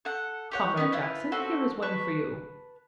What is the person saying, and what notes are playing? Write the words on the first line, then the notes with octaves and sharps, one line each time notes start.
Comrade Jackson, here is one for you.
A4 F#5
G4 C#5 F#5
B3 C#4
E4 F4 B4
C4 C#4 F#4 A4
B4 A5 C#6